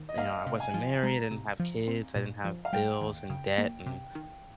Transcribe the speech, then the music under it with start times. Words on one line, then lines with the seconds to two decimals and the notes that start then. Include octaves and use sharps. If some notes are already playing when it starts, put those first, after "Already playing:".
you know, I wasn't married, I didn't have kids, I didn't have bills, and debt, and
Already playing: D#3
0.09 D#5
0.18 A#3 F5
0.47 C3
0.60 G#5
0.74 F3
1.03 G#3 A#5
1.31 C3
1.60 F3
1.88 C4
2.16 A#2
2.45 F3
2.65 F5
2.73 G3 G5
3.01 D#2
3.30 C#3
3.58 A#3
3.86 C3
4.15 D#3